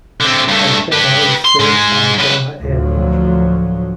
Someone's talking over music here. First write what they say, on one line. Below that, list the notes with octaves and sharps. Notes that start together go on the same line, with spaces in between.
Albena is served by Varna Airport.
D3 C4
G2 A3
G4 B4
C6
G#2 G#3
F#2 B4
D2 A2 F3 F#3